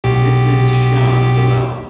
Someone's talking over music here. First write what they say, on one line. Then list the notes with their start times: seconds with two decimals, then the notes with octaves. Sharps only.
This is shown below.
0.04 B1 B2 G4